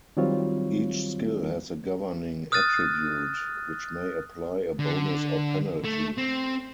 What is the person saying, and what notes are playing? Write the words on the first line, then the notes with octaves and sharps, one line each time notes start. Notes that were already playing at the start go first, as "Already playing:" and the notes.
Each skill has a governing attribute, which may apply a bonus or penalty.
D#3 F#3 G3 C4 F4 C#5
D#6 F6 F#6 A6 D#7
D3
A3
C4